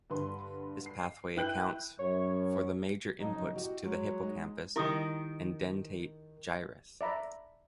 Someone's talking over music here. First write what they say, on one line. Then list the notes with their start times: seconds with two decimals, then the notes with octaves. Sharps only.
This pathway accounts for the major inputs to the hippocampus and dentate gyrus.
0.10 G2 D3 B4 C6
0.86 C7
1.36 E4 B4 G5 F#6 G6 F#7
1.99 F#2 C#5
3.20 F2 C#3 F#3 D#4
3.55 E4 F#4 G4 D#5
3.84 F#3 G#3
4.23 G#3 D#4
4.76 D#3 E4 G4 A#4 D#6
7.01 D5 E5 A#5 B5